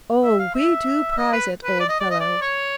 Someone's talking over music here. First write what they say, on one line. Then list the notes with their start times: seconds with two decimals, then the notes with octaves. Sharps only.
Oh, we do prize it, old fellow!
0.24 E5
0.39 F5
0.55 E5
1.11 E5
1.17 D#5
1.32 B4
1.64 B4
1.80 D5
1.89 D#5
2.00 D5
2.11 D#5
2.20 D5
2.42 C#5